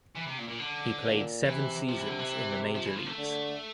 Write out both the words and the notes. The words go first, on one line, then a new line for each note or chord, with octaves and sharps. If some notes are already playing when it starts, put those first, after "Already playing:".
He played seven seasons in the major leagues.
E3
C3
A#2
A#2
D3
A#2
C3 E3
F3
E3
D3
E3
F3
E3
F3
A3
D3